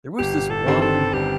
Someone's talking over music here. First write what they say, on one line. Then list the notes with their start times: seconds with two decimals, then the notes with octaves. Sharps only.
There was this one
0.19 G1 G4
0.50 A4
0.66 G2 D#3 G3 C4
0.82 A4
1.13 G1 G4